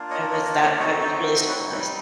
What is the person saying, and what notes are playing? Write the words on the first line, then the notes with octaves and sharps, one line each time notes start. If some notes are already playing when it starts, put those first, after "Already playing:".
I was that I was really surprised.
Already playing: A#3 D4 F4
C#5 D#5
C#5 D#5
C5
C#5
D5
A3 C4 D#4 F#4 C#5 D#5
C5 D5
A#4 C5
B4 C#5
G3 C4 D#4 B4 C#5